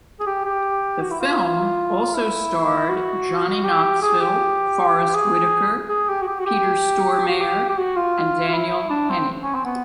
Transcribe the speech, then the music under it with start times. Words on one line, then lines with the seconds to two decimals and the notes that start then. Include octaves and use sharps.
The film also starred Johnny Knoxville, Forest Whitaker, Peter Stormare, and Daniel Henney.
0.20 G#4
0.27 G4
0.45 G4
1.02 F#4
1.11 E4
1.21 F4
2.15 E4
2.89 F#4
3.65 G4
4.02 G#4
4.20 G4
5.15 G#4
5.89 G#4
6.09 G4
6.22 F#4
6.27 G4
6.39 F#4
6.46 G4
7.29 F#4
7.40 G4
7.69 G4
7.78 F#4
7.96 F4
8.49 F4
8.53 E4
8.90 D4
9.09 C4
9.43 C#4
9.55 C4
9.65 B3